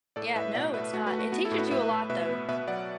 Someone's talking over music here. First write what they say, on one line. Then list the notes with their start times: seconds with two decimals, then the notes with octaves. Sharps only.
yeah, no, it's not it teaches you a lot, though.
0.16 A2 A4 D5
0.35 A2 B4 E5
0.55 B2 D5 F#5
0.74 A3 B4 E5
0.93 A3 F#4
1.06 F#4 B4
1.13 A3
1.19 F#4 B4
1.32 B3 F#4
1.45 E4 A4
1.51 A2
1.58 F#4 B4
1.71 A2 B4 E5
1.91 A2
2.10 B2 B4 E5
2.29 B3
2.48 B2 B4 E5
2.68 F#3 D5 F#5